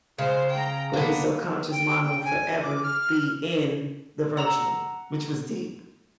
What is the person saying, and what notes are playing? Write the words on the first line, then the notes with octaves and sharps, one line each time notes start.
but his subconscious mind will forever be in the virtual, which was deep.
C#3 G#3 C5
G5 A#5
A#3 B3 D4
G5
G5
G#5
D6
F6
F#5 A#5 E6